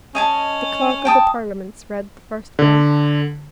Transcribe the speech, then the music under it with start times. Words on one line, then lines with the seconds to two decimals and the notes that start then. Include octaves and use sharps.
The Clerk of the Parliaments read the first bill.
0.15 C#4 D#5 G#5 A5
1.05 G5 A5 D#6
2.59 D3